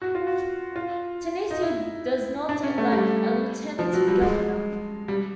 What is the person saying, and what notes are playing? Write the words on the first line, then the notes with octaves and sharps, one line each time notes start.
Tennessee does not elect a lieutenant governor.
F#4
F4
F#4
F4
D#4
E4
D4
C#4
A3
G3
F3
F#3
G3
G#3
G3